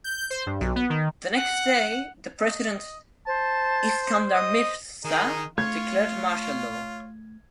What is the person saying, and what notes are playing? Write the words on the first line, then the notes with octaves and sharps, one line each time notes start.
The next day, the president Iskandar Mirza declared martial law.
G6
C5
G2
B1
B3
D#3
F#5
D#5
C5 A5
D#5
D#3 D#4 G#4 A#4
A3 F4 C#5 G#6